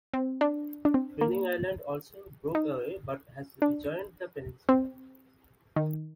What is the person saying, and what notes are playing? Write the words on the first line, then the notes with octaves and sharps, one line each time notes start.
Fenning Island also broke away but has rejoined the peninsula.
C4
D4
D4
C4
A#3
D#4
D4
C4
D#3